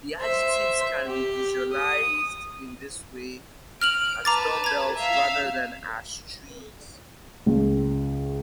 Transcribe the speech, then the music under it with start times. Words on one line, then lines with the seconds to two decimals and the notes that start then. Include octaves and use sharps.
The adjectives can be visualized in this way as "dumbbells" rather than as "trees".
0.19 C5 E5
1.07 G4
1.73 D#6
3.81 F6 D7 F7 F#7
4.25 B4 A5 A#5 D6 A6
4.64 A#5 G#6
4.94 E5 F5
7.46 C#2